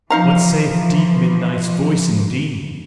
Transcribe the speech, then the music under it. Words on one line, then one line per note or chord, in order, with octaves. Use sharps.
What saith deep midnight's voice indeed?
E3 F3 D#4 F5 A#5